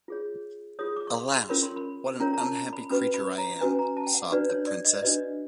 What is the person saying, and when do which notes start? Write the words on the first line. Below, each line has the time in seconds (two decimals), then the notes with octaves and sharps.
"Alas, what an unhappy creature I am!" sobbed the princess.
0.08 F4 G#4 C#5
0.79 F4 G#4 C#5 D#6
0.96 D6
1.07 C#6
1.14 C6
1.32 C6
1.49 C#4 F4 A#4 C#5 B5
1.63 C6
1.76 B5
2.20 C#4 F4 A#4 C#5 A#5
2.34 A#5
2.38 A5
2.73 B5
2.91 C#4 F#4 B4 B5
3.14 B5
3.38 A#5
3.61 C#4 F#4 B4 G#5
3.79 A#5
3.97 A5
4.07 G5
4.14 F#5
4.32 D4 F#4 B4 D5
4.49 C#5
4.67 D5
4.85 D#5
4.95 D5
5.02 D4 F#4 B4 D#5